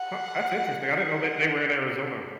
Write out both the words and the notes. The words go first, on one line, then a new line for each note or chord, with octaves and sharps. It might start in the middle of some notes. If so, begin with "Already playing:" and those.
Huh, that's interesting. I didn't know that they were in Arizona.
Already playing: F#5
F#5